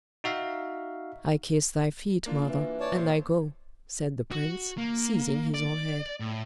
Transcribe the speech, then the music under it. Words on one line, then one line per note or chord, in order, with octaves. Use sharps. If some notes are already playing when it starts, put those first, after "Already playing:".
"I kiss thy feet, mother, and I go," said the prince, seizing his own head.
D#4 F#4 E5 F5
A#3 D4 F4
E3
C#5 D5 A5
A#2 C5
F#4
A#3
D5
A2